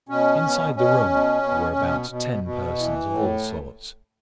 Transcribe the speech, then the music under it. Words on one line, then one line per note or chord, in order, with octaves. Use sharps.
Inside the room were about ten persons of all sorts.
B2 C#4
B2
B2 C#4
B2
B2
B2
B2
B2
E3
A2